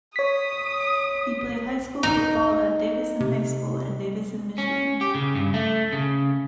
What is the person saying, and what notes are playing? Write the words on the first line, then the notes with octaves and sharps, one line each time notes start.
He played high school football at Davison High School in Davison, Michigan.
C#5 D#6 B6
D#4
C3
C#4
G4
C#3
G2
A3
C#3